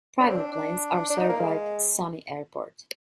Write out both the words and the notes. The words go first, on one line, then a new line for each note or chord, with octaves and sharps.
Private planes are served by Sumy Airport.
D4
C4
D4
D4
D4
D#4
A#3
G#3